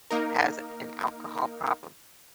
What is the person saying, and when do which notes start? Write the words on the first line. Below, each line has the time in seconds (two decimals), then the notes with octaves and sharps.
has an alcohol problem,
0.11 A#3 D#4 A#4